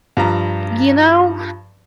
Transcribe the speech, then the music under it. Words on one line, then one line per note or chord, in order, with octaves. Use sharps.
You know,
G2 F3 A#5